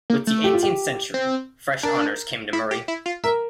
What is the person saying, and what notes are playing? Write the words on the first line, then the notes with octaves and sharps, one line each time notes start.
With the eighteenth century fresh honours came to Muri.
A#3
A3
G4
F4
G4
C4
D4 A#4
E4
G4
E4
F4
A#4 E5